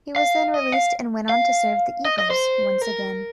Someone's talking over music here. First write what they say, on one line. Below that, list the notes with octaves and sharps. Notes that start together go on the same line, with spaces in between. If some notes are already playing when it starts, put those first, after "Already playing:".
He was then released and went on to serve the 'Eagles' once again.
F5
D#5
F5
F5
D#5
D#5
C5
A#4